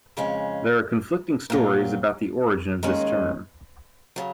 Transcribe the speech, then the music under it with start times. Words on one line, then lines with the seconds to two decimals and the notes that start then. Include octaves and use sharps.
There are conflicting stories about the origin of this term.
0.17 F2 C#3 G#3 C#4
1.50 A#2 F#3 C4
2.83 D#2 D#3 G#3 C#4
4.16 C#3 F#3